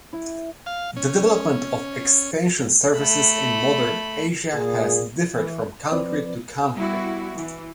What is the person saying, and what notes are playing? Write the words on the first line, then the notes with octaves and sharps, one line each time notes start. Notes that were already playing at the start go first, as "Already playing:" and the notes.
The development of extension services in modern Asia has differed from country to country.
E4
F5
C#4
A3 B5
A#2 G#4
E3
F3 C4 B4 D5
G3 B3 E4 F#4
E3